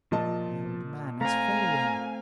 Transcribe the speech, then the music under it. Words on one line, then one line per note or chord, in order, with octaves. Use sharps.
"The old man is failing."
A#2 F3 D#5 A5
A3 C4 F5 G#5 A#5